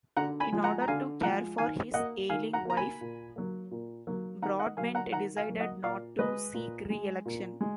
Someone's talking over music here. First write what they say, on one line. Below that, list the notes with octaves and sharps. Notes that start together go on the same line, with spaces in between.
In order to care for his ailing wife, Broadbent decided not to seek re-election.
D3 F#5 A#5
G#5 B5
F3 G#3
F#5 A#5
A#5
D3 F5 G#5
F3 G#3 F#5 A#5
D#3 F5 G#5
A#3 D#5 F#5
D#3 F5 G#5
F#5 A#5
A#3 A#5
G#5 B5
A#2
F#3 A#3
A#2
F#3 A#3
D#3 F#5 A#5
D#5 F#5
F#3 A#3 F5 G#5
F#5 A#5
D#3 F#5 A#5
F5 G#5
F#3 A#3
D#5 F#5
A#2 D5 F5
G#3 B4 D#5
A#2
G#3
A#2
G#3